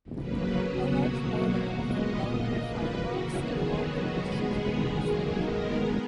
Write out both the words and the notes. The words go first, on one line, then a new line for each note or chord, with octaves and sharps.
A large boiler with a Belpaire firebox and long combustion chamber was fitted.
C#3 F#3 A#3 B4
C#3 F#3 B3 F#4
B2 F#3 A#3
B2 F#3 A#3
A#2 G#3 B3 D#5
A#2 A#3
A#2 A#3 B4
C#3 E3 A#3 F#4
D#3 F#3 B3 G#4
D#3 F#3 B3 F#4
B2 G#3 B3 G#4
D#3 G#3 B3 G#4
D#3 F#3 A#3 G#4
D#3 G#3 B3 A#4
B3 G#4